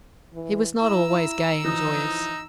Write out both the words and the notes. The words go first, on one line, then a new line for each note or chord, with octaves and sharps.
He was not always gay and joyous.
E3
E4 A#5 E6
E3 F3 D#4 D#6